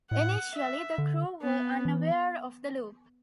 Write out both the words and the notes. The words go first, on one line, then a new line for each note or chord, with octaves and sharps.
Initially, the crew are unaware of the loop.
A2 F#5
E5
D3
B3
E3